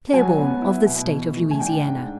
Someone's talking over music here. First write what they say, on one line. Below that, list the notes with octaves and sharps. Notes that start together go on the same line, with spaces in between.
Claiborne of the state of Louisiana.
F#3 G#5
B3
E4
B2
E3
A3
G#5
D4 G5
G#2